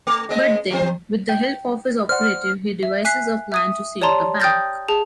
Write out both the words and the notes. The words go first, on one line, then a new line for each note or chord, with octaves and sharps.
But then, with the help of his operative, he devises a plan to save the bank.
A3
G#3 A#3 D#5
F#3 C4 C5
G5
C5 D5 F#5 F6
E5
G#5 F#6 B6 C7
E5 D#6 D#7
G4 C#5 D5 A5 A#5 C6
G5 D#6 F6 G6 A6 A#6
G#4 A5